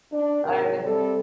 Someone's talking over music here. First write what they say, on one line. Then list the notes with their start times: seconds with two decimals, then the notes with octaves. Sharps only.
I know.
0.12 D4
0.43 G#2 C3 C4 A#4
0.82 C3 G3 C4 A4